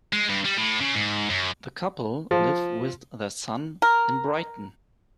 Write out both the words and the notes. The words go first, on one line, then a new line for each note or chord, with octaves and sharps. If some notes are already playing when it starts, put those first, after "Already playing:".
The couple live with their son in Brighton.
G#3
G2
G3
A2
C#3
G#2
F#2
F3
A#4